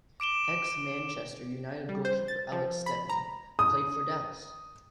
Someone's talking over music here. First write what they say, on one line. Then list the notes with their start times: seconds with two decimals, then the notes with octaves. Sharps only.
Ex-Manchester United goalkeeper, Alex Stepney played for Dallas.
0.20 D6 D7 E7 G7
1.89 G3
2.05 C5
2.28 A6
2.52 F3
2.86 B5
3.09 A#5
3.59 D#6